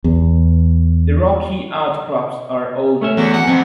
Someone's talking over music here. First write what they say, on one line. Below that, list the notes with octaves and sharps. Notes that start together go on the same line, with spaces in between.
The rocky outcrops are older.
E2
A3 C#4 E5
E2 F#4
F#5
F2 C4